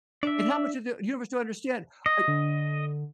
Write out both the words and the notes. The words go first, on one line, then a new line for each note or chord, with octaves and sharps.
and how much of the universe do you understand, like
D4 D5 E5
D#5
D3